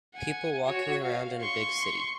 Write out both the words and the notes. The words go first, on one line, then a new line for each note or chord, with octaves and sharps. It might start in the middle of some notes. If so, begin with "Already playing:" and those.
People walking around in a big city.
F#5 G#5
F#4 C#5
F5
C6 C#6